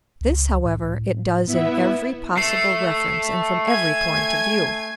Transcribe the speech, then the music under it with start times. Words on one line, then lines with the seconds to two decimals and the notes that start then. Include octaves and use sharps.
This, however, it does in every possible reference and from every point of view.
0.21 C#2
0.65 A2
1.45 B3 E4 E5
2.38 A3 C7
3.67 G#5 G#6